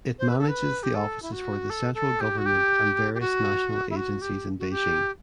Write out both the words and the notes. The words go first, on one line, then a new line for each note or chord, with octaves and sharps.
It manages the offices for the central government and various national agencies in Beijing.
C5
B4
A4
B4
G4
A4
E4
F#4
A4
A4
G4
F#4
G4
G4
F#4
E4
F#4
G4
F#4
G4